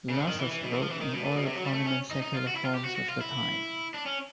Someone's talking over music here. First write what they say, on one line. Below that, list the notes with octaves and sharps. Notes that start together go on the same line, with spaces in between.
Lassus wrote in all the prominent secular forms of the time.
C#3
D3
D#3
E3
E3
B2
E3
F3
E3
D#3
B2
A#2
B2
C3
F#3
G3
A3
C#4
D#4
D#4
F4
F#4
E4
F4
G4
F#4
F#4
F4
E4
D4
C#4